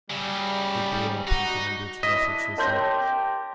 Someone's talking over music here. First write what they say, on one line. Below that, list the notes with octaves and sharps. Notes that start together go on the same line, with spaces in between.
He grew up in Cambridge, Massachusetts.
C#3 F#3 G3
D#4 F#4
D4 E4 D#5 B6
G4 A#4 C#5 A5 C6 G6 A#6